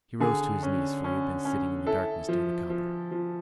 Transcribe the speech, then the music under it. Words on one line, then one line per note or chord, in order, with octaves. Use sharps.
He rose to his knees, for he had been sitting in the darkness near the copper.
D3 G#4
C#4
C#4
C#4
E4 A4
F3
F3
F3